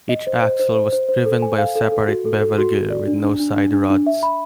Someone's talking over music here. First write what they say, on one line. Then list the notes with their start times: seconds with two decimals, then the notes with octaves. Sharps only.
Each axle was driven by a separate bevel gear, with no side rods.
0.09 D#5
0.27 C5
0.42 C5
0.60 C5
0.75 C5
0.93 C5
1.09 C5
1.26 A4
1.42 G#5
1.58 F5
1.76 A4
1.92 A4
2.08 F#4
2.25 A4
2.41 A4
2.58 F#4
2.74 F#4
2.90 D5
3.08 D4
3.24 D4
3.40 D4
3.57 D4
3.73 D4
3.90 D4
4.07 E5
4.23 B5